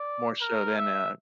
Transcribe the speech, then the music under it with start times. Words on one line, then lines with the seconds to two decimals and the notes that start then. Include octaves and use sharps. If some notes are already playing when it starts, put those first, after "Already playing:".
more so than, uh,
Already playing: D5
0.41 A#4
0.77 E5